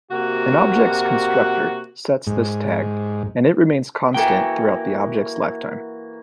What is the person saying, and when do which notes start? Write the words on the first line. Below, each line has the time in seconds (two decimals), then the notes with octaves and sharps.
An object's constructor sets this tag, and it remains constant throughout the object's lifetime.
0.11 C3 A#3 F#4
2.27 G#2
4.14 E3 A#3 F#4 A4 G5